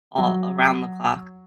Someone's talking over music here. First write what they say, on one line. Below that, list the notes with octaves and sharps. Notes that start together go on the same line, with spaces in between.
all around the clock.
F#3